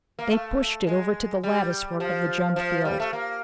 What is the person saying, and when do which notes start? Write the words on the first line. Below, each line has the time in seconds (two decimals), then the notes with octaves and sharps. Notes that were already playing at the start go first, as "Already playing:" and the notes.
They pushed it over to the latticework of the jump-field.
0.19 A#3
0.31 A3
0.87 G#3
1.44 G3
2.00 F3
2.56 F3
2.85 G3
3.00 A3
3.13 A#3